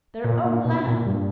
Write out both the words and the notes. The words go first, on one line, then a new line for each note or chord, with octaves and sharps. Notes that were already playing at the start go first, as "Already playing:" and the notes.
Their own Lamb!
A#2
A#2
B2
A#2
G2